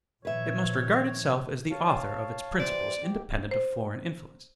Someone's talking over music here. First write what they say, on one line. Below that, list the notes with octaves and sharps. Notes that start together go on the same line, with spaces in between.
It must regard itself as the author of its principles independent of foreign influences.
A#2 D#3 F3 B4 C#5 E5
C#5 F5 A5
E3 G3 C5 D5
G#2 G4
C5